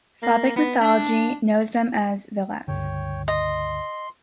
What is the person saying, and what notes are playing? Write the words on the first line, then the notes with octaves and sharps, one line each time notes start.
Slavic mythology knows them as vilas.
A#3
B3
D4
C#2 G2 D3 C#5 G5
D#5 C6